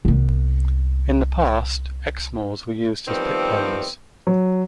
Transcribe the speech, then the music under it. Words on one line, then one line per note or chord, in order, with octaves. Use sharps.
In the past, Exmoors were used as pit ponies.
C2 B3
D#3 F3 G3 B3 C4
F#3